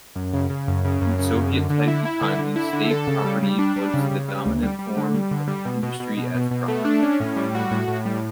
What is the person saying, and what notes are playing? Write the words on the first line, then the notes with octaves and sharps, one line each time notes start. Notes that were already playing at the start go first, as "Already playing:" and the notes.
In Soviet-type economies, state property was the dominant form of industry as property.
F#2
C#3
C#3
F#2
C#3
F#2
C#3
F#2
D3
D3
E4
E4
D3
D3
E4
D3
A4
C#3
G3
G3
D4
G3
C#3
C#3
G3
D2
G3
G3
D3
G3
D3
G3
B2
B2
B2
B2
B2
B2
A3
D4
C#4
A2
G3
F#4
A2
A2
G3